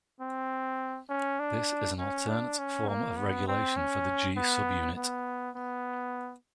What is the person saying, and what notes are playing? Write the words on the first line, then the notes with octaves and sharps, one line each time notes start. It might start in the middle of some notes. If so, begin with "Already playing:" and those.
This is an alternate form of regulation for the G subunit.
C4
C#4
D4
C#4
D4
C#4
A#3
B3
C4
C#4
B3
B3
B3